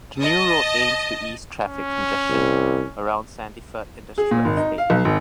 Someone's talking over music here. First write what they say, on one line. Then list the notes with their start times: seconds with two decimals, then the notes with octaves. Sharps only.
The new road aims to ease traffic congestion around Sandyford Industrial Estate.
0.19 D#5 A5 D#6
1.65 C#4
2.30 C2
4.18 G#4
4.31 A#2
4.45 G#1
4.57 D#4
4.78 F5
4.90 B1
5.05 G#1